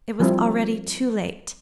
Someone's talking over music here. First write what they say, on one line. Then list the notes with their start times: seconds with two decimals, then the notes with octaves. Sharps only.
It was already too late.
0.20 F3 G3 C4 E4